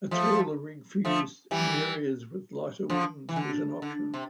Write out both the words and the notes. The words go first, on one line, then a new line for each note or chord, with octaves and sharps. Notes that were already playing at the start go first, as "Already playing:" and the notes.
A taller rig for use in areas with lighter winds was an option.
F3 A3
F3 A3
E3 G3
D3 F3
E3
D3
D3
C3